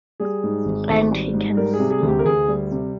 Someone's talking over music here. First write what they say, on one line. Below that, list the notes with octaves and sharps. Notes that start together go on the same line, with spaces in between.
And he can sing.
G3 G#4
G#2
G#1
G#1
G3
G#2
G3 A#4
G#4
C3
G#4
D2
G4
A#4
D2 G#4
G3
C3